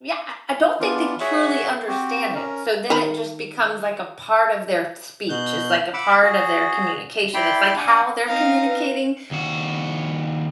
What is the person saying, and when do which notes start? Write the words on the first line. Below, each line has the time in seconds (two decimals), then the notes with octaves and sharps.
Yeah, I I don't think they truly understand it, so then it just becomes, like, a part of their speech. It's, like, a part of their communication. It's, like, how they're communicating,
0.80 E3 B3 D4 F4
1.20 F#4 G#4 C#5 E5 F#5
1.88 C4 F#4 G4
2.35 C#4 A#4
2.90 D#3 A#4 B5
5.29 B2 F#6 G6
5.94 F#5 B5 D6 E6
6.23 F#4 G#4
7.34 E4 D5 G5 B5 C6
7.77 D4 F#5 G#5
8.27 C4 D#4 F5
8.64 B4
9.31 D#2 F#4